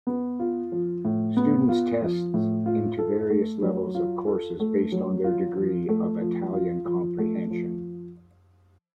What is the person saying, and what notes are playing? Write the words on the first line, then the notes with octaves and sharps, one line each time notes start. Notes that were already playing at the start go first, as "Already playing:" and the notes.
Students test into various levels of courses based on their degree of Italian comprehension.
B3
F4
F3
A2
B3
F4
F3
A2
F4
A4
A3
F#3
F4
A4
A3
F#3
F4
F3
A3
F3
F4
F3
A3
F3